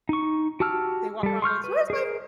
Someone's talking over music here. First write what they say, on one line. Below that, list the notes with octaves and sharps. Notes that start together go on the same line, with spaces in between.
they walk around going, "So where's my
D#4 C#6
F#4 G4 A5 E6 F6
G3 A4
C6 C#6 F6 G6
B4
G#4 A#4